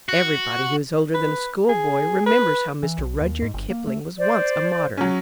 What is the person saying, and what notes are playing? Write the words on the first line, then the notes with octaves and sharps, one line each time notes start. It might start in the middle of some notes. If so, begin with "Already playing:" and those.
Everybody who is older than a schoolboy remembers how Mr. Rudyard Kipling was once a modern.
F#4
B4
G#4
B4
E3
B1
D#2
G#2
G1
A#3
A3
C5 D5
F#3 C#4